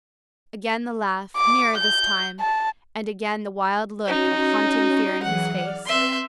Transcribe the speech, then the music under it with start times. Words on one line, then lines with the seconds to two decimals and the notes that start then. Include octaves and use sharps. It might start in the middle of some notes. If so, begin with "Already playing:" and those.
Again the laugh, nearer this time, and again the wild look of haunting fear in his face.
1.36 D6
1.78 G6
2.39 A5
4.07 C#4 D#4 F#4
5.23 E3 F#3 G#4 F#5
5.52 D5 F6
5.85 C4 B4 E5 C6